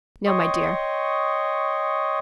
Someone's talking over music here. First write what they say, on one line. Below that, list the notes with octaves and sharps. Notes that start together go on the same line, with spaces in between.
"No, my dear."
C#5 D#5 G5 C6 C#6 D#6